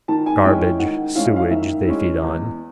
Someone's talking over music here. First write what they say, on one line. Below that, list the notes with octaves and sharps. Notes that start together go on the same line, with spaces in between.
Garbage, sewage they feed on.
D#3 A5
G#5
G#3 C#4 E4 G5
G5
D#3 F#5
G#3 C#4 E4 F5
E5
F5
D#3 E5
G#3 C#4 E4
E2